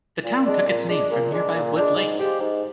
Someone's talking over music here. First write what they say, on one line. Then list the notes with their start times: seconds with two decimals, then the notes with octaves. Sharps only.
The town took its name from nearby Wood Lake.
0.23 A#2
0.45 G#3 D4
0.66 A#2
0.88 G#3 D4
1.10 A#2
1.32 G#3 D4
1.54 A#2
1.75 G#3 D4
1.96 G#2
2.18 F3 G#3 C4 G4
2.40 G#2